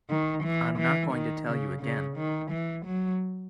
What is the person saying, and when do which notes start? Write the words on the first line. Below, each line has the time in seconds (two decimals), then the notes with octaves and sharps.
I’m not going to tell you again.
0.10 D#3
0.44 E3
0.79 E3
1.13 D#3
1.48 C#3
1.82 C#3
2.17 D#3
2.51 E3
2.86 F#3